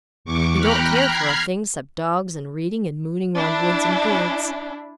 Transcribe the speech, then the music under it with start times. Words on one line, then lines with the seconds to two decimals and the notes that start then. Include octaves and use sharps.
He don't care for a thing 'cept dogs and reading and mooning round woods and fields.
0.25 E2 C#6 D6
0.58 G5 A#5 B5 F6 F#6
1.05 A#5 B5 F6 G#6 C7
3.36 D4 E4